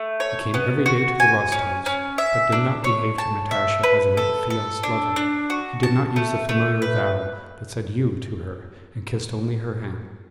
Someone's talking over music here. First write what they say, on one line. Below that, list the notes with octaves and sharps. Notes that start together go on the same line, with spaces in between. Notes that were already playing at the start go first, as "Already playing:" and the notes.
He came every day to the Rostovs', but did not behave to Natasha as an affianced lover: he did not use the familiar thou, but said you to her, and kissed only her hand.
Already playing: A3
C#5
B3
F#4
G#5
C#4
C#4
E5
D4
C#5
A5
E5
B4
A4
A4
D4
D4
F#4
A5
A3
A3
B4